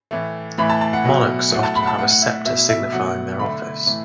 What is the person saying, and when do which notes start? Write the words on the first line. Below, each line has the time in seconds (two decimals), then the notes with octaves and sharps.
Monarchs often have a sceptre signifying their office.
0.11 A2 E3 A3
0.58 A2 E3 A3 B5
0.70 A5
0.81 A5
0.93 F#5
1.05 B2 F#3 A3
1.51 A2 F#3 A3 F#5
1.63 A5
1.76 B5
1.83 F#5
1.87 A5
1.99 A2 A3 F#5
2.10 F#5
2.22 E5
2.46 B2 A3 E5
2.69 E5
2.92 B2 F#3 A3 F#5
3.39 D3 A3 B5
3.86 A2 E3 A3